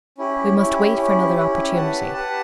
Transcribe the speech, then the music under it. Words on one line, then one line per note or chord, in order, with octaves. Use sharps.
We must wait for another opportunity.
C#4 E4 G4
C#4 E4 G4
C#4 E4 G4
C#4 E4 G4
G4 B4 F#5 A5
G4 B4 F#5 A5